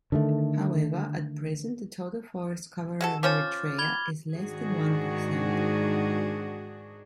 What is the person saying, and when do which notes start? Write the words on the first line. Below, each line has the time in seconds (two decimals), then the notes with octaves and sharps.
However, at present the total forest cover of Eritrea is less than one percent.
0.12 D3 D#3 G3 A3
3.01 G#3 F#4 A4
3.23 F3 C#4 C5 D6 F6 A6
3.78 B5 G#6 G7
4.35 G#2 D#3 D4 F#4 G#4